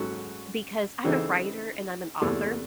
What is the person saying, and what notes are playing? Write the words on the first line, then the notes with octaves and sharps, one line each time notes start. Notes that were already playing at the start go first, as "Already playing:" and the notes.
because I'm a writer and I'm an author,
Already playing: G#2 F#3 C#4 F#4 A4
C#3 E3 C4 D#4 A4
E2 C3 E3 A3